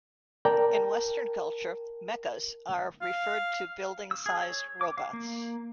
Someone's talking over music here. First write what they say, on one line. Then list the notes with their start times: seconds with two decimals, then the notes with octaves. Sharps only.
In Western culture, mechas are referred to building sized robots.
0.45 A#4 D5 G5 A5 A#5
3.02 F5
4.11 E6
4.26 G#4
4.40 C#5
4.81 D6
4.97 F5
5.13 A#3